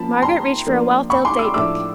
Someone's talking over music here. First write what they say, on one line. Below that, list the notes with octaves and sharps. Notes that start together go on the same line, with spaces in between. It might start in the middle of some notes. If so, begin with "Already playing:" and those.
Margaret reached for a well-filled date-book.
Already playing: F3 A#3 C#4 A5 B5
A#5 C6
F3 A#3 D4
B5 C#6
C6 D6
D6 E6
A2 F3 A3 D4 D6 E6